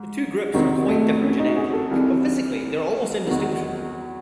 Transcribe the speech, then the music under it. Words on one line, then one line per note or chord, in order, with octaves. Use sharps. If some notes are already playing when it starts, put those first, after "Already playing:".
The two groups are quite different genetically, but physically they are almost indistinguishable.
Already playing: G#2
E2 C3 D#3 F#3 C4
A3
C#4
D#4
F#4
G#4
A4
C2 C3 E3
E2 D#3 F#3